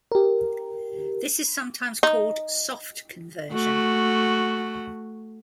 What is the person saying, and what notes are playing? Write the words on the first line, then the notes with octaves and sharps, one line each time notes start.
This is sometimes called "soft conversion".
G4 A#4
D#4
A3 F#4